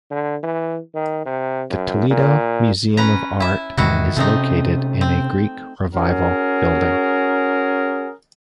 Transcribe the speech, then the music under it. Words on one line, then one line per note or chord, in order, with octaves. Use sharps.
The Toledo Museum of Art is located in a Greek Revival building.
D3
E3
D#3
C3
F#2
A#2
C#4 B4 A#5
E4 E5
E2 G#2 C3 D#3 E4 F#4
C3 A3 C4 C#4 D#4
C4
C#4 F#4 G#4 A#4